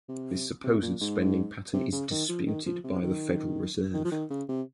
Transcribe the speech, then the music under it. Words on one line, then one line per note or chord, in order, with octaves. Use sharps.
This supposed spending pattern is disputed by the Federal Reserve.
C3
C3
A#2
G#2
C3
C#3
D#3
F3
D#3
F3
C3
D#3
D#3
F3
D#3
C#3
C3